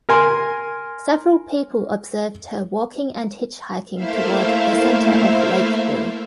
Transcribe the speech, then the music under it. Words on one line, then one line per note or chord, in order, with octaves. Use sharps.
Several people observed her walking and hitchhiking toward the center of Lakeville.
A#4 G#5 C6
A3 A#3 E4 C5 E5 F5